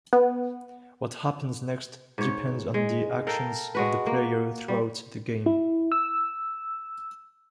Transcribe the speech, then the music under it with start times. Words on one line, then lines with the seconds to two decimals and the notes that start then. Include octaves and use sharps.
What happens next depends on the actions of the player throughout the game.
0.13 B3
2.18 G#2 C#5
2.74 G#3
3.27 A4 A#4 F5 G5
3.75 G#3 F#4 B4
4.07 A#3
4.68 G3
5.46 E4
5.92 E6